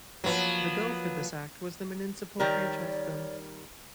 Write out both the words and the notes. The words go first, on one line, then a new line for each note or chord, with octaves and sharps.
The Bill for this Act was the Municipal Franchise Bill.
F3 F#3 A#3 B3
D#3 G3 A#4 C#5 D5